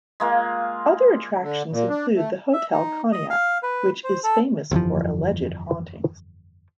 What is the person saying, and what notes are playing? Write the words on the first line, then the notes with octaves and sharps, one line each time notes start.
Other attractions include the Hotel Conneaut, which is famous for alleged hauntings.
G#3 A#3 F4
D3
A#2
D4
A3
E5
D#4
D#5
F5
B4
C5
A4
G1 F2 E3 F3